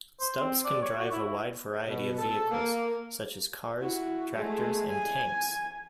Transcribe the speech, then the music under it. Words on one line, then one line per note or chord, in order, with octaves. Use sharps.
Stubbs can drive a wide variety of vehicles, such as cars, tractors and tanks.
C5
C4
D5
C#5
F#4
E4
B2
A4
A#3
E4 F#4
G#3 A3
G#5